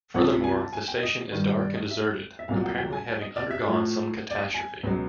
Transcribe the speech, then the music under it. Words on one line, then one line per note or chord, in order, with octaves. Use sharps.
Furthermore, the station is dark and deserted, apparently having undergone some catastrophe.
C#2 C3 F3 F#5
G#5
A5
G#5
G5
D#5
G2 D#3 G3
D5
D#5
E5
E5
C2 A#2 F#3 F5
F#5
F#5
G5
G#5
G#5
D#5
D5
E5
A2 F3 A3
D5
D#5
G#5
C#2 B2 F#3